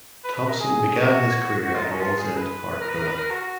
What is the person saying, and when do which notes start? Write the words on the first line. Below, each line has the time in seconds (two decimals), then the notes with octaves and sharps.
Thompson began his career at Wallsend Park Villa.
0.24 B4
0.35 B4
0.48 A#4
0.59 G#4
0.95 F#4
1.65 F#4
1.74 F4
1.83 D#4
1.92 C#4
2.00 F4
2.18 G#4
2.37 B4
2.71 B4
2.80 A#4
2.89 B4
2.98 A#4
3.07 B4
3.18 A#4
3.30 F#4